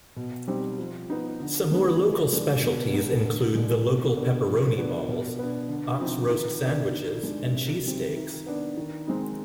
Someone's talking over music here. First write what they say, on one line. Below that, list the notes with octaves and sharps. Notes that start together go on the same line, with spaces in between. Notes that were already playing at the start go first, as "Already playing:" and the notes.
Some more local specialties include the local pepperoni balls, ox roast sandwiches, and cheesesteaks.
B2
G3 C4 D#4
F3
B3 D#4
D3
G#3 B3 D#4
F3
G#3 D4
B2
G#3 B3 D#4
D3
G#3 D4
B2
B3 D4
F3
B3 D4
B2
B3 D4
D3
F3 C4 D#4
D#3
B3 D4
D#3
G#3 D4
C3
D#3 G3 C4
D#3
B3 D4
D#3
G#3 C4 D#4